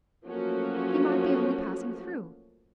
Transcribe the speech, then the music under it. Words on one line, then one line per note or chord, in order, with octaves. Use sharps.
He might be only passing through.
F3 F#3 A3 A#3 C#4 F#4